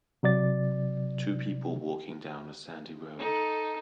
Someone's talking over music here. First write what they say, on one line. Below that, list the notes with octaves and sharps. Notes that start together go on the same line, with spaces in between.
Two people walking down a sandy road.
C3 F#3 D5 A6
D#4 A4